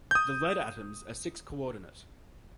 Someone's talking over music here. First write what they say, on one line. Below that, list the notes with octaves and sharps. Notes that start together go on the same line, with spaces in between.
The lead atoms are six-coordinate.
D#6 G6